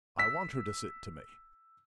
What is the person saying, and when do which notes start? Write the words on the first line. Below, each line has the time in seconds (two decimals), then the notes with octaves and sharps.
I want her to sit to me.
0.19 E6 B6